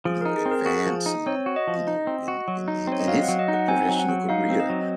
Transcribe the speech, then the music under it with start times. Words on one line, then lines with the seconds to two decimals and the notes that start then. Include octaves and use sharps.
you know, advance in, you know, in in in in his, eh, professional career,
0.05 F3 G#4
0.21 D#4 A#4
0.36 G#4
0.46 C4
0.51 A#4
0.66 F#4 G#4
0.86 F3
1.06 D#4
1.26 C4 C#5
1.46 F#4
1.56 D#5
1.67 F3
1.87 D#4
2.07 C4
2.28 F#4
2.48 F#3
2.68 D#4
2.87 C4 C#5
3.00 D#5
3.08 F#3 F5
3.23 F#5
3.28 F#3
3.39 D#5
3.48 D#4
3.54 F#5
3.68 C4 G#5
3.89 F#3
3.99 F#5
4.09 F#3
4.29 D#4 F5
4.50 C4
4.60 D#5
4.70 F#3